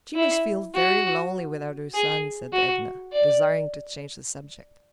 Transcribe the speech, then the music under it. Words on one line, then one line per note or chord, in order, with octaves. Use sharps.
"She must feel very lonely without her son," said Edna, desiring to change the subject.
E4
F#4
G#4
F#4
D5